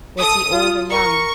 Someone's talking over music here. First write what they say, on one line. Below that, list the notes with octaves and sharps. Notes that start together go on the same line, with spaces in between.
Was he old or young?
A4 D#6
F4
A#4 C#6